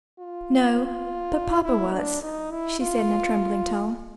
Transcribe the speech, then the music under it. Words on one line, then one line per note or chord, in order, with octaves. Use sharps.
"No, but Papa was," she said in a trembling tone.
F4
E4
D4
D#4
E4
F4